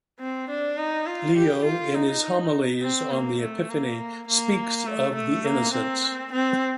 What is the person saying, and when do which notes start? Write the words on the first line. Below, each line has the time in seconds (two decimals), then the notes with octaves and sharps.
Leo in his homilies on the Epiphany speaks of the Innocents.
0.20 C4
0.49 D4
0.78 D#4
1.07 F4
1.37 G4
1.65 F4
1.95 D#4
2.82 C4
3.12 A#3
3.40 A3
3.70 A#3
4.28 A#3
4.86 A3
5.16 A3
5.45 A#3
5.73 C4
6.33 C4